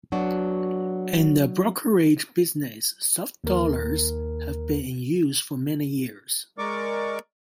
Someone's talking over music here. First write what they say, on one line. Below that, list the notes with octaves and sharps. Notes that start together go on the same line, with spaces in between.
In the brokerage business, soft dollars have been in use for many years.
F#3 B3 D4 F#4
D#2 A#4
G#3 A#4 D5 C#6 D6